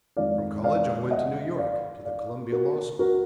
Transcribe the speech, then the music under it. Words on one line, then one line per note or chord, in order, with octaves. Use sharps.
From college I went to New York, to the Columbia Law School.
F2 D#3 G#3 D5 F5
D5 F5
D#5 F#5
D5 F5
D5 F5
F#4 A#4
F#4 A#4